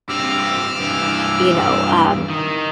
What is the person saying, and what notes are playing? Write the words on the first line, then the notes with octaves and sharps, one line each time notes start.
you know, um,
G2 C4 D6 E6 F6
G2 E3
D#3